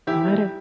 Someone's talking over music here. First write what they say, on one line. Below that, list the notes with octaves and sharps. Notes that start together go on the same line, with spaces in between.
it might've
E2 E4 G4
G3